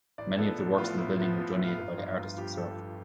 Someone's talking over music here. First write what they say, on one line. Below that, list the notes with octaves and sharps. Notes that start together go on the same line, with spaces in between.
Many of the works in the building were donated by the artist himself.
A1 D5
A2 F3 B3 A4
A1
A2 F3 B3 F4
A1 E4
A2 F3 B3
A1 F4
E4
A2 F3 B3
F4
G1
G2 F3
G1 F4
G2 F3 G4
G1 A4
F3